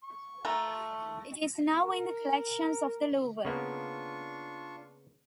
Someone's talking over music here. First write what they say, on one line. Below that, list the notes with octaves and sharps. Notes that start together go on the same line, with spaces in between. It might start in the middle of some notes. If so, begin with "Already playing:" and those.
It is now in the collections of the Louvre.
C#6
A3 F4 A#5
A#4
C#3 A#3 B3 D4 F4 C#6